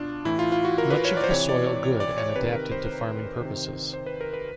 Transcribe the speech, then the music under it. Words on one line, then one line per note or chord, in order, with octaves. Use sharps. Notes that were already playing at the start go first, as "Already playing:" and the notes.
Much of the Soil good and adapted to farming purposes.
Already playing: B2 D4 F4
A2 E3 E4
F4
F4
F#4
A#4
B4
C#5
D5
C5
C3 E3 C#5
D5
C#5
C#5
D5
C#5
C3 D#3 B4
A#4
C5
C3 D#3
C5
B4
A#4
B4